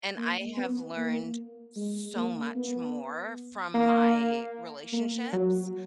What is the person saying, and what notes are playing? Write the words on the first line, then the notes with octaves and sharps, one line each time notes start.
and I have learned so much more from my relationships,
A#3
B3
A#3
G#3
A#3
B3
A#3
A#3
F#3